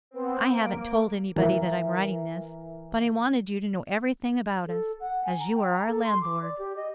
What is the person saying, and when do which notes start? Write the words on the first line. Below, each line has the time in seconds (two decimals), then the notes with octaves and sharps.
I haven't told anybody that I am writing this, but I wanted you to know everything about us, as you are our landlord.
0.11 B3 C4
0.50 A#3 D7
1.36 E3 A#4 E5
4.67 A4
5.00 F#5
5.24 G#5
5.39 A#5
5.55 G5
5.70 A#5
5.87 A4
6.03 C6
6.21 D6
6.42 D5
6.58 G4
6.76 D#5